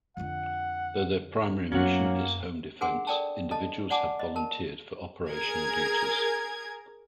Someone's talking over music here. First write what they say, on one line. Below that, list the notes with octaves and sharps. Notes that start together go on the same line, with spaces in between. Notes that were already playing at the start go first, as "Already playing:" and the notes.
Though their primary mission is "home defence", individuals have volunteered for operational duties.
F2 D3 F#5
F#2 F#3 A#3 B3 C#4 F#4
D4 G#4 A#4 F#5 G#5 C6
A4 A#4 D5 G5 A5
A4 D#5 A5
D5 F#5 G#5 A5 D6
D#5
A#4 A5
G#4 A#4 G#6